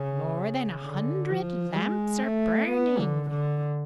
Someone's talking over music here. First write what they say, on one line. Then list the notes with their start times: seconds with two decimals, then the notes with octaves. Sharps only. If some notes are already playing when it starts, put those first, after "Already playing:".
More than a hundred lamps are burning.
Already playing: C#3
0.83 D3
1.30 F3
1.76 G#3
2.22 A3
2.69 B3
2.99 D3
3.30 D3